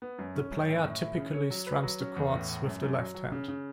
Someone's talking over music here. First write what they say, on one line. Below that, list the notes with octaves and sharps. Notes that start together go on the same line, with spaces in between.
The player typically strums the chords with the left hand.
B3
F#2
C#4
F#2
A2
A2
E4
C#3
C#5
F#3
B4
F#3
C#4
E2
A2
A2
F#2
F#2
F#3
F#3
C#3
C#3